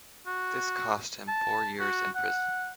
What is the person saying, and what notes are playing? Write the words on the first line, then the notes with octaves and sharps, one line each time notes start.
This cost him four years in prison.
F#4
A5
F#4
F#5